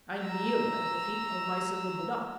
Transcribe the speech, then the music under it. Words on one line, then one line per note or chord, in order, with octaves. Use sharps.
I kneel at the feet of my silver Buddha.
A#5 E6